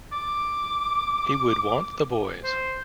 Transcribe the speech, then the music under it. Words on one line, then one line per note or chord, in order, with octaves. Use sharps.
He would want the boys.
D6
C5